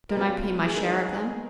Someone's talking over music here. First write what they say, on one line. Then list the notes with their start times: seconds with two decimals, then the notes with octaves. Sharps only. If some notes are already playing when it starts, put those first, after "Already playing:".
"Don't I pay my share of them?"
0.09 A#4
0.16 B2 F#3 C#4 F4 B4
0.66 G#4
0.74 D#3 G#3 D#4 A#4